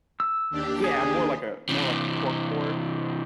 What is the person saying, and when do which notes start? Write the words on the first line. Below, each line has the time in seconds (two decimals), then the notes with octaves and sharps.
Yeah, more like a more like a corkboard.
0.20 E6
0.50 D#2 D4 G4
0.84 G#4
1.69 C3 E3